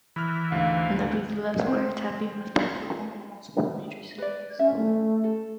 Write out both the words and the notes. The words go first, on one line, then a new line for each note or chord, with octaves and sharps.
Nevertheless wiretapping was possible in multiple major cities.
E3 B5 F6
D2 G#2 F5
C4
B4 D5
C#4 E5
A3
A4